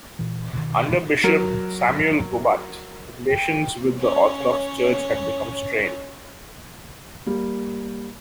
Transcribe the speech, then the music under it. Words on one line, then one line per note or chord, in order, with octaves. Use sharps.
Under Bishop Samuel Gobat, relations with the Orthodox Church had become strained.
A#2 E3
B2 D#3
F#3 A#4
G5
C#4 C#5
G3 A#3